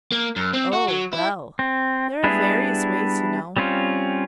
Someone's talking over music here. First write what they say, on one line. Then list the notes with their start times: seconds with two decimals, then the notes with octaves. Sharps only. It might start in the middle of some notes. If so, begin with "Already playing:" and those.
'Oh, well, there are various ways, you know.
0.12 A#3
0.36 F#2
0.54 C4
0.73 F#4
0.88 F#3
1.13 E4
1.59 C4
2.24 G3 B3 D4 E4 G#4
3.57 G3 C4 C#4 F4